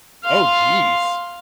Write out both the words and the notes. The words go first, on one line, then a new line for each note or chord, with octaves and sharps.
Oh, jeez.
F5 C6